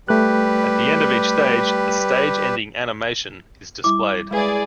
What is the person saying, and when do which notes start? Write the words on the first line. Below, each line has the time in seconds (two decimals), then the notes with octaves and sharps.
At the end of each stage, a "stage-ending animation" is displayed.
0.08 G3 A3 G4 B4 F#6
3.84 G3 E4 D6
4.31 G#3 E4 G#4 B4 D5